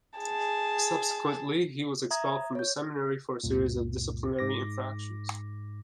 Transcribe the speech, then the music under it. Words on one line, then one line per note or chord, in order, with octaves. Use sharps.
Subsequently, he was expelled from the seminary for a series of disciplinary infractions.
G#4 A5
E5 A#5 D#6 G#6
C#5 G6
C#2 F#2 A#2
G#2 D6 A#6